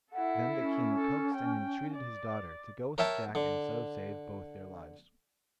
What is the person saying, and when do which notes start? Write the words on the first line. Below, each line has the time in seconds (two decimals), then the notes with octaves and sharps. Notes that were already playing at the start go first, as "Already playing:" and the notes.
Then the King coaxed and entreated his daughter to go with Jack and so save both their lives.
0.12 E4 A4 F#5
0.60 C#4
0.95 A4
1.34 G5
1.95 D5
2.98 A#4 C#5 E5 G5 A5
3.35 D3